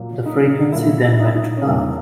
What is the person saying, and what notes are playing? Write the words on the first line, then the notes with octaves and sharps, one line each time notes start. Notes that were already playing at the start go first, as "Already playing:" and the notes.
The frequency then went dark.
Already playing: A#2 F#3 A#3
D#4
A#2 F#3 A#3 E4
D#4
E4
D#4
C#4
E2 C3 E3 G3 A#3 D4